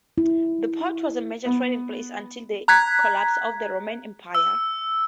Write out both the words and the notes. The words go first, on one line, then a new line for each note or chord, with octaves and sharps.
The port was a major trading place until the collapse of the Roman Empire.
E4
B3
A#5 F#6 G#6 B6
E6